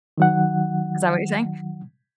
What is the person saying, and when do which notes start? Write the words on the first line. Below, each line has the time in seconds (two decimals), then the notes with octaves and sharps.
Is that what you're saying?
0.18 D#3 F#3 F#5